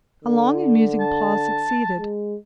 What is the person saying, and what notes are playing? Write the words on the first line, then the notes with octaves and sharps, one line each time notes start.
A long and musing pause succeeded.
D3
A5
G#3